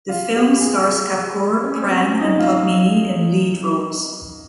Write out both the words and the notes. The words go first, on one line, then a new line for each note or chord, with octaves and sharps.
The film stars Kapoor, Pran and Padmini in lead roles.
F4
G4
G4
G#4
G4
C#4
C4
C#4
D#4
F4